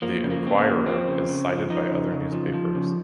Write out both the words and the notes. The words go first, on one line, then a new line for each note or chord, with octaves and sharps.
The "Inquirer" is cited by other newspapers.
F3 A#3
C#3
A#3
C#3 C4
A#3
F3
F3 C4
C#3
C#3
F3
F3 D#4
C#3
C#3
F3
F3
C#3